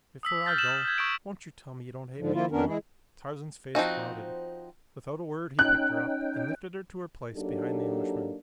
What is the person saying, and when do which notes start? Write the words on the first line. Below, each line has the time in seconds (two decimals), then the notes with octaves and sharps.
"Before I go won't you tell me you don't hate me any more?" Tarzan's face clouded. Without a word he picked her up and lifted her to her place behind the Englishman.
0.23 D#6 E6 B6
0.45 E6 F6 G6 A6 A#6
0.58 E7 F#7
0.71 E7
0.85 G6 G#6
0.98 C#6 D#6 D7
2.18 G#2 D3 F3
2.34 F3 A#3 E4 F4
2.51 F2 B3 C#4 D4 A#4
2.67 G#3 E4 G#4
3.75 F3 C4 D#4 F#4
5.59 C#4 D#4 G5 F#6
7.34 F#3 A#3 D4 D#4 G4 A4